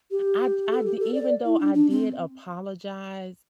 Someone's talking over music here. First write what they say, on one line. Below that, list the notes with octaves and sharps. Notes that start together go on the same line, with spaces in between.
I d I di even though I did apologize,
G4
A4
G4
A4
D5
E4
D4
D4
C4